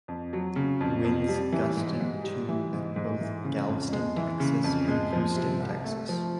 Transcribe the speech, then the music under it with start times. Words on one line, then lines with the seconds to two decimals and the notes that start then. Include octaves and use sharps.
Winds gusted to at both Galveston, Texas and Houston, Texas.
0.08 F2
0.33 F#3
0.56 C#3
0.81 F2
1.04 F2
1.29 G3
1.53 E3
1.77 G#2
2.01 G#2
2.24 G3
2.49 E3
2.73 G#2
2.96 G#2
3.20 E3
3.45 C#3
3.68 F2
3.93 G#3
4.17 E3
4.40 C#3
4.64 F2
4.88 G#3
5.13 F3
5.36 C3
5.60 C2
5.84 A3
6.09 F3